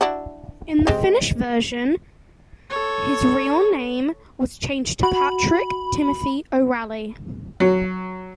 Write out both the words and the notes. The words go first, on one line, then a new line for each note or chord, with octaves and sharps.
In the Finnish version his real name was changed to Patrick Timothy O'Ralley.
D4 E4 F#4
G#3 C4 G4
A4 C#5
F#4 B5
F#3